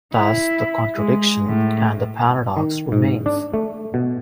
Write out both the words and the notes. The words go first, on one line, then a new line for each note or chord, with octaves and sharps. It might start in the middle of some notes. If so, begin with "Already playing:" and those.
Thus, the contradiction, and the paradox, remains.
E4
G#3
A2
D#3
G#2
D4
A3
B2